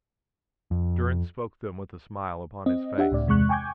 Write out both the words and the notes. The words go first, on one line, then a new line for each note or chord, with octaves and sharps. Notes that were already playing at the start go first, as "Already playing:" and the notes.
Durrance spoke them with a smile upon his face.
F2
C4 D#5
D4 G4 E5 F#5
C#2 A2 D5
E2 C3 G#3 C#6 F#6
G5 G#5 C#6 D6 G6 G#6